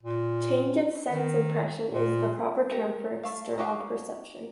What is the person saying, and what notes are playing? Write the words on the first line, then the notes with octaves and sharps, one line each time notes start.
Change of sense-impression is the proper term for external perception.
A#2
D#3
A#2
G4 A#4
A3 F5
D#4 F#4 G4 F5